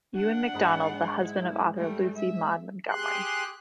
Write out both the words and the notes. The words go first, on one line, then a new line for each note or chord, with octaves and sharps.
Ewan Macdonald, the husband of author Lucy Maud Montgomery.
D4 F#5
G#2 G#4 B5
E4
G3 A3
E5
G4 G#4 C6 F#6